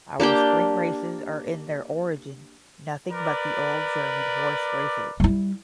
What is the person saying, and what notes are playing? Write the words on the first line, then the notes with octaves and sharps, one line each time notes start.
Our spring races are in their origin nothing but the old German horse-races.
A#3 D4 G4 G5
A#4 B4 D5
G3 E4